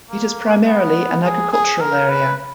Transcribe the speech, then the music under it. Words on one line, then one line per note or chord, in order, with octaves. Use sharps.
It is primarily an agricultural area.
A#3
B3
G#4
G#4
A#4
B4